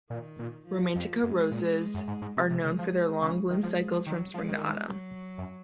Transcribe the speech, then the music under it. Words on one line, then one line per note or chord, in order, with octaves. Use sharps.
Romantica roses are known for their long bloom cycles from spring to autumn.
A#2 D#3
A#2
F3
F2
F#2 G#3
A#2
F#2
G#2
G#2
C3 G#3
C3
C#3
F3
C#3
D#3 G#3
F3
F3
D#3 F#3
F3 G#3
D#3
G#3
F#3
F#2